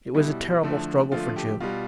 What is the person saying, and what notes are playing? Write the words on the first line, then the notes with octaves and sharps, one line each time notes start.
It was a terrible struggle for June.
B2 G3 E4
D3 F3 A3
D3 F3 A3 F4
G4
B2 G3 F4